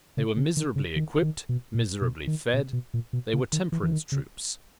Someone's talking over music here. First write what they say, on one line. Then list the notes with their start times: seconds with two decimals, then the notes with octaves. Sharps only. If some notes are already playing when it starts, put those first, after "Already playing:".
They were miserably equipped, miserably fed. They were temperance troops.
0.17 C#3
0.37 C#3
0.57 D#3
0.76 C#3
0.96 D#3
1.22 D#3
1.49 B2
1.75 A#2
2.02 B2
2.27 D#3
2.54 B2
2.73 B2
2.94 A#2
3.13 B2
3.33 C#3
3.53 D#3
3.72 E3
3.83 E3
3.92 D#3
4.12 C#3